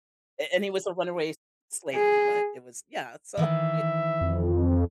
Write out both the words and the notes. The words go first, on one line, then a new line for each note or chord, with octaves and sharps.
A and he was a runaway slave, but it was yeah, so y
G#4
D#3 E3 E5
F2